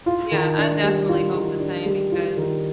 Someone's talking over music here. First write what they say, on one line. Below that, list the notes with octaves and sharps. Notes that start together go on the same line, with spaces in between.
Yeah, I definitely hope the same, because
F4
D#3
D4
G3
F4
D#3
D4
G3
F4
D#3